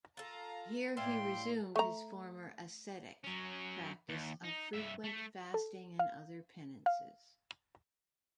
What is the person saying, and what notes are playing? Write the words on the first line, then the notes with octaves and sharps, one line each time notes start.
Here he resumed his former ascetic practice of frequent fasting and other penances.
F4 A4 F5 A#5
A2 E4 D5 F5 G5 C6
A3 A#5
F#3 C#4
D#2
D#4
G2 E5
A3
A4
F5
F5